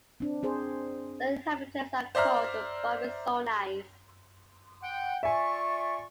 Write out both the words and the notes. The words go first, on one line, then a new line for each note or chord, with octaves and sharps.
The inhabitants are called "Barbizonais".
C4 D4
C4 G#4 C5
C5 D5 E5 A#5 F6
F#5 G5
F4 D5 E5 G#5 C#6